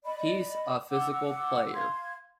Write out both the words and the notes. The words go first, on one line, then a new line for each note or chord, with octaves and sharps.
He's a physical player.
D5 D#5 B5
F#5 D6 E6
F5 C6 G#6